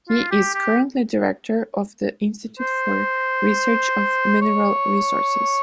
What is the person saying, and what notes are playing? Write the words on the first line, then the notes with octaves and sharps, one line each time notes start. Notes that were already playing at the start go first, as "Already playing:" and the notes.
He is currently director of the institute for research of mineral resources.
F4
G4
G4
C5
C#5